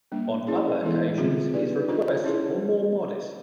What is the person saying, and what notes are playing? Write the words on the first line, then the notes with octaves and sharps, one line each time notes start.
On other occasions his requests were more modest.
G3 A#3 D4
C#4 E4 G#4 C#5
E3 G#3 B3 E4 A4
D3 G3 C4 F4 G#4
B3 D#4 G4 B4 D5
D4 F4 A4 C5 D#5
C#4 E4 G#4 C#5